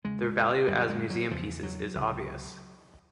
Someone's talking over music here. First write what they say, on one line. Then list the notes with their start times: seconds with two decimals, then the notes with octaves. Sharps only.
Their value as museum pieces is obvious.
0.04 E2 C#3 G#3
0.68 F#2 D3 G3
0.89 G#3
1.10 F#3
1.31 E2 C#3 F3
1.63 F#3
1.95 C#2 C3